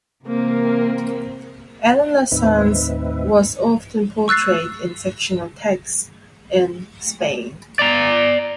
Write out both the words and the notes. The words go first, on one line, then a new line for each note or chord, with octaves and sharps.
Elena Sanz was often portrayed in fictional texts in Spain.
C3 E3 A#3 C4 A#4
D#2 A2 C4 D#4 B4 E5
C#6 E6 F#6 A6 C7
D5 A#5